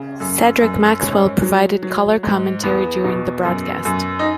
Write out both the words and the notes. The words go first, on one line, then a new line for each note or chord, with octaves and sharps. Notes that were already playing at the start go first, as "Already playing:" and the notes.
Cedric Maxwell provided color commentary during the broadcast.
Already playing: C#3
F#2
F#2
G#2 C#4
F#3
F#3
G#2
E2 B3
B2
F#2
F#2
D#4